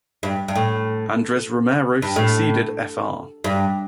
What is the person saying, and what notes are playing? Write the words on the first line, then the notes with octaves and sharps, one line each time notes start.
Andres Romero succeeded Fr.
G2
G2
A2
G2
A2
G2